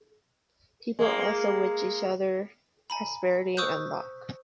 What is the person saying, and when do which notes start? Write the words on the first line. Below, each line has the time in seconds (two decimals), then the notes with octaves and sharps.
People also wish each other prosperity and luck.
0.99 G#3 A#3
2.90 G#5 A#5 B5
3.57 C5 C#6 D#6 E6 F#6 G6